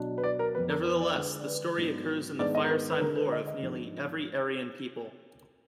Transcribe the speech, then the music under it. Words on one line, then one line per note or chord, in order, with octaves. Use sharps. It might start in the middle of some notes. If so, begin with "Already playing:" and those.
Nevertheless, the story occurs in the fireside lore of nearly every Aryan people.
Already playing: B2 F#3 D4
B4
D5
A#4
F2 F3 B3 B4
A#4
B4
D5
D3 G#3 D4 B4
D5
B4
G#2 F#3 B3 D4
G#2 D#3 G#3 B3 D4 D5
D#5
A#4
B4
B4
D3 G#3 D4 A#4
B4
D#5
D#5
G#2 F3 G#3 D4